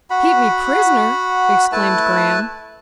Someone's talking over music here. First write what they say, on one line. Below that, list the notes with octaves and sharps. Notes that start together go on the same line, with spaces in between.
"Keep me prisoner!" exclaimed Graham.
F#4 F#5 B5
A3 E4 B4 A5